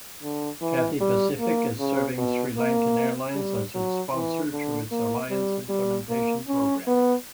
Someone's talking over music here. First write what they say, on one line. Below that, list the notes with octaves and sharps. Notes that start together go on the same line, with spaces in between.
Cathay Pacific is serving SriLankan Airlines as its sponsor through its alliance implementation programme.
D3
E3
G3
A#3
C#3
B2
A#3
G3
F#3
E3
D3
A#3
G3
G3
A#3
C#4
B3